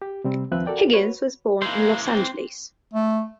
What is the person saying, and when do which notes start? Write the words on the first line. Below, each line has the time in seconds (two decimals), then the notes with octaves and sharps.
Higgins was born in Los Angeles.
0.02 G4
0.24 C3 G3 C4
0.51 D#2 F3 C4 B4 E5 F#6
0.66 F#4 A4 A#4 D5 G5
0.94 F#4 B4 C#5
1.62 E3 G#3 A#3 C5
2.06 C4 C5
2.94 A3